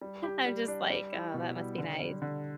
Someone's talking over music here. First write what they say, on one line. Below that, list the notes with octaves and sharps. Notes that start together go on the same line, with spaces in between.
I'm just like, "Oh, that must be nice."
G3
G4
G3
D4
G3
E4
B2
G3
D3
G3
D3